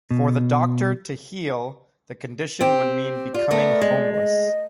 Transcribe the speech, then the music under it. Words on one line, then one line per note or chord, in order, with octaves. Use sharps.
For the doctor to heal the condition would mean becoming homeless.
B2
C4 G4
F4 D5
A3 B3 A#4
G#3
D#5